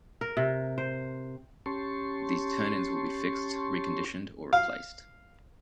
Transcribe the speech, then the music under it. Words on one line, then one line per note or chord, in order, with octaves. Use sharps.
These "turn-ins" will be fixed, reconditioned, or replaced.
A#4
C3
C5
C#4 G4 A5 C6 C#6
F5